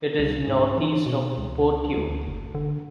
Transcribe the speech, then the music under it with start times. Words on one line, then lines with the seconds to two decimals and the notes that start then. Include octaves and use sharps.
It is northeast of Poteau.
0.19 C2
0.48 G#2
0.77 E3
1.06 B2
1.38 C#2
1.97 D2
2.27 F#1
2.55 D3